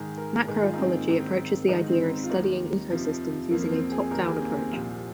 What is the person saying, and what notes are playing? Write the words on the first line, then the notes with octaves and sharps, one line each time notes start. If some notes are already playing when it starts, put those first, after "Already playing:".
Macroecology approaches the idea of studying ecosystems using a "top down" approach.
Already playing: G#2 D#3 G#4
A#4
G#2 D#3 G#4
F4
D#4
C4
A#3
G#2 D#3 C4
G#2 D#3 D#4
C4
C4
F4
D#2 D#3 D#4
F2 C3 F3
F2 F3 A#3
C4
G#4
D#2 D#3 A#4
G#4
A#3
C4
C4
C2 A#2 F3